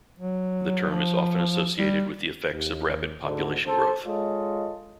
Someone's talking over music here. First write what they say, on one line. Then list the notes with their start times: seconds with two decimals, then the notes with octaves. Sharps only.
The term is often associated with the effects of rapid population growth.
0.19 F#3
0.90 F3
1.78 G3
2.50 D#2
3.22 D2 G#2 D3
3.65 A4 C5
4.05 G#3 F4 A4 C#5 D#5